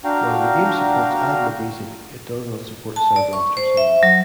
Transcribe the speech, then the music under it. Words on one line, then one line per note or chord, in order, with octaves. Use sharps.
While the game supports AdLib music, it does not support SoundBlaster sound.
D4 F#4 F5 G5 A#5
A5
D5
C#6
C5
E5
F#3